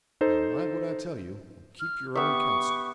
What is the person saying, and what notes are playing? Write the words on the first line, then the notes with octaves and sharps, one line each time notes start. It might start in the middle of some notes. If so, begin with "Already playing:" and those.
Now, mind what I tell you, and keep your own counsel.'
D#4 A4 C5
F6
B3 G4 E5 C#6